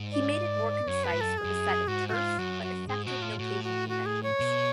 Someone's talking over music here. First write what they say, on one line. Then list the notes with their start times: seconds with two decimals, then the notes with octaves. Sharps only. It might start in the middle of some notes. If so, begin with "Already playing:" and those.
He made it more concise with a set of terse but effective notation conventions.
Already playing: G#2
0.12 D5
0.87 F#2 C#5
1.04 B4
1.13 G#2
1.21 F#2 A4
1.38 G#4
1.44 F#2
1.88 G#2 F#4
2.08 F#4
2.13 G#2 F4
2.38 F#2 F#4
2.63 F#4
2.88 G#2 G#4
3.05 B2 F#4
3.13 A2
3.22 F4
3.39 A2 F#4
3.64 F#4
3.89 F#4
4.06 G#4
4.23 C#5
4.40 B2